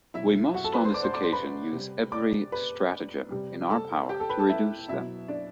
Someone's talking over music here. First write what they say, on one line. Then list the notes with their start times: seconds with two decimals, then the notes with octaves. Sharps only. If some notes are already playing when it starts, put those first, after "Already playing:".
We must on this occasion use every stratagem in our power to reduce them.
0.14 B2 F#3 E4 E5
0.54 F#4 F#5
0.64 A4 A5
0.73 B4 B5
0.84 C5 C6
0.94 D5 D6
1.03 C5 C6
1.13 D5 D6
1.23 C5 C6
1.33 B4 B5
1.72 C3 G3
2.12 D5 D6
2.52 B4 B5
3.31 C3 G3
3.70 A4 A5
4.09 G4 G5
4.20 A4 A5
4.29 B4 B5
4.39 A4 A5
4.49 E4 E5
4.88 B2 F#3 E4 E5
5.28 D4 D5